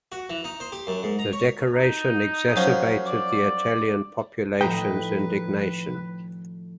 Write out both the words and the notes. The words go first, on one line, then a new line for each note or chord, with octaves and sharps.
The decoration exacerbated the Italian population's indignation.
F#4
E3
D#4
C5
G4
F#2
G#2
A#5
C#5
D#4
F#2 F3
D5
A2 D#3 F3 B4 D#5 G5 A#5